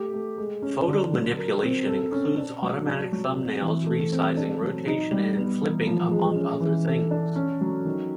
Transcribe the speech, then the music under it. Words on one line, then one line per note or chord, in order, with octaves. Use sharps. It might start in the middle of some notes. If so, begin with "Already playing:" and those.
Photo manipulation includes automatic thumbnails, resizing, rotation, and flipping, among other things.
Already playing: A3 G4
A3
G#3
C#4
D3
F#3
A#4
C4
A4
C#4
D4
F#3
D4
F#3
C4
E3
A3
C4
D4
F#3
D#4
G3
B3
E3
F3
G#3
C#4
E3
A4
D4
C#4
F#3
D#3